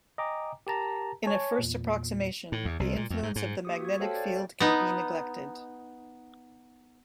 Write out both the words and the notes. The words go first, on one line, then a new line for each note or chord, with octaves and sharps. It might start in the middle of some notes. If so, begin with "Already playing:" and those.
In a first approximation, the influence of the magnetic field can be neglected.
D#5 G5 G#5 A#5 D6
G4 A#4 A5 A#5
C#5 G#5 A5
E2 A#2
A2
E2
C2
A#2
F2
G#2
G#2
A#3 G4 D#6
F#4 G#6
A4 C5 C#5 F5 G5 A5
D5
G5
B3 D#4